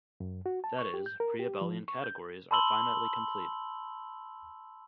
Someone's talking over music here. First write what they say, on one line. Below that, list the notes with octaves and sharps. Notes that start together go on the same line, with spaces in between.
That is, pre-abelian categories are finitely complete.
F#2
F#4
A5
C#6
G4
G6
A#4
G4
F3
C#6
G6
A5 B5 C6 E6 F#7 G7